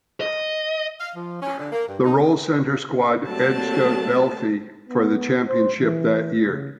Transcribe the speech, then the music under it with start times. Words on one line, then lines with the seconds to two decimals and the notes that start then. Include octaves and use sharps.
The Rollcentre squad edged out Balfe for the championship that year.
0.21 D#5
1.00 F5
1.16 F3
1.42 C#4
1.59 D3
1.72 A#3
1.87 G2
2.04 D#4
3.26 F#3 G3 A3 A#3 C4 A5
4.89 B3
5.48 C5
5.80 E3
6.47 C#3